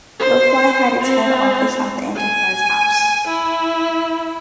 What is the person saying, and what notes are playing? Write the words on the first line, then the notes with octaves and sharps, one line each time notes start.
Go Fly had its head office at the Enterprise House.
C5
C4
G#5
E4